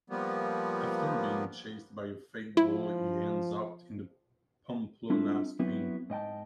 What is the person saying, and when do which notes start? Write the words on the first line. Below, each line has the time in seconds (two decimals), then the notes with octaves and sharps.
After being chased by a fake bull he ends up in Pamplona, Spain.
0.10 F3 G3 A#3 B3
2.57 F3 E4
5.10 G3 C4 D4 E4 F4 A4
5.59 F#3 B3 C4 E4 F#4
6.10 G#2 D#5 G5 A5